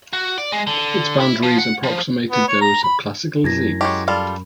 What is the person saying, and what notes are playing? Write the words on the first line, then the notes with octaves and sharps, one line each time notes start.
Its boundaries approximated those of classical Zyx.
F#4
D5
G#3
D3
E4
F3
F#5
F3
B3
C#5
A#5
B5
F#2 E4 G#6 A#6
F#3 G#3 G4
G3 F4 A4 B5